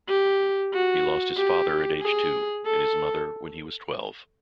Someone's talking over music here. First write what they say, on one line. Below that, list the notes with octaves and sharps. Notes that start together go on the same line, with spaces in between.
He lost his father at age two and his mother when he was twelve.
G4
F#4
G4
G#4
A4